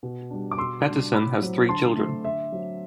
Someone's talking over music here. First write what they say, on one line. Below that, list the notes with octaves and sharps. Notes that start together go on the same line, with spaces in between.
Petterson has three children.
B2
G3 D4
D6
B2 C6 E6
G3 D4
A2 B5 D6
F#3 C4
D3 A5 C6
A3 C4
D3 E5
F#3 C4